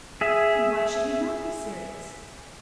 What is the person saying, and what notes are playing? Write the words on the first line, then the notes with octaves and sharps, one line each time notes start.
"And why should he not be serious?"
G#4 E5